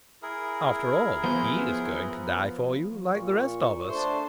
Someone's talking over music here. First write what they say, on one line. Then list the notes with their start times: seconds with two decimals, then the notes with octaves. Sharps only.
After all, he is going to die for you, like the rest of us.
0.22 E4 G#4 A#4
1.24 F3 B3 C5
3.15 A#2 C#6
3.89 A3 D4 C5